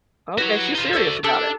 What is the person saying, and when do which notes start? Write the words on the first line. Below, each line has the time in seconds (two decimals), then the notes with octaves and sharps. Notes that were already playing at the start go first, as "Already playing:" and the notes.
Okay, she's serious about it.
0.38 E4 F#4 G4 B4 C#5
0.75 D#4 F4
0.93 F#4 A4 C5 D5 E5
1.24 D4 G4 A4 A5